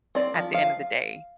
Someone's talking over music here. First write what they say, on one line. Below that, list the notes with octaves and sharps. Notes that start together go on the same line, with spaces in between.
at the end of the day.
C4 D5
F3
F3 F5